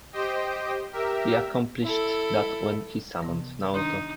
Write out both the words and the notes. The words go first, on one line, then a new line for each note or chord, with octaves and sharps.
He accomplished that when he summoned Naoto.
G4 C5 D#5 G5
G4 A#4 E5
E4 A4
C3 E3 B3
D#3 D4 D#4